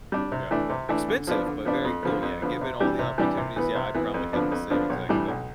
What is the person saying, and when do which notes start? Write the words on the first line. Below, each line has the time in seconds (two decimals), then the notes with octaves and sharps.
Yeah. Expensive, but very cool. Yeah, given all the opportunities, yeah, I'd probably had the same exact thing.
0.12 G3 D4
0.32 C3
0.51 E3 A3 D4
0.69 C3
0.89 E3 A3 D4
1.08 D3
1.27 F3 B3 D4
1.46 D3
1.65 F3 B3 D4
1.85 F2
2.03 D3 F3 B3
2.22 F2
2.42 D3 F3 B3
2.61 C3
2.80 E3 G3 D4 G4
2.99 C3
3.18 E3 G3 D4 G4
3.37 C3
3.56 E3 B3
3.75 C3
3.95 E3 B3
4.14 F2
4.33 D3 F3 B3 D4
4.52 F2
4.70 D3 F3 B3 D4
4.90 B1
5.09 A2 E3 G3 D4
5.28 B1